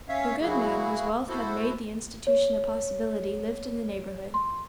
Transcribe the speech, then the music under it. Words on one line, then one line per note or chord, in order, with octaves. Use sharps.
The good man whose wealth had made the institution a possibility lived in the neighborhood.
C#4 C#5 E5 F5
C#3 F#3 A#3 E4 F#4 G#4
E4 F#4 A4 C5
C#5
C6